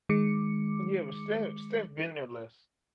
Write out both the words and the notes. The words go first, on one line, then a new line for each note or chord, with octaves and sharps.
Yeah, but Steph Steph been there less.
D#3 G#3 D6 C#7